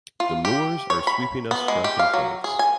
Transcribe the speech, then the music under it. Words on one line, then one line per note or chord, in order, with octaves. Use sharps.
The Moors are sweeping us front and flanks.
F4
G4
C#5
B5
B3
G#3
G4
F5
F#3
G#4
G#5